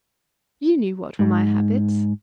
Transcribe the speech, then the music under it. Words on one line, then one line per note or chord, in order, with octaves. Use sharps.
You knew what were my habits.
G#2